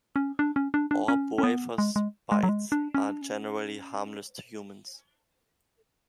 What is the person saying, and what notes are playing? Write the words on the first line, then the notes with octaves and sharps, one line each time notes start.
Orb-weavers' bites are generally harmless to humans.
C#4
D4
C#4
D4
D4
C#4
C#4
B3
G#3
G#3
G#3
F#3
G#3
D4
C#4
D4
C#4